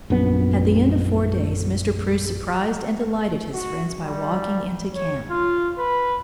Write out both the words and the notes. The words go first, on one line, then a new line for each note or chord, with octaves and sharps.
At the end of four days, Mr. Preuss surprised and delighted his friends by walking into camp.
A#1 F#2 B3
F#4
G3
C#5
F4
B4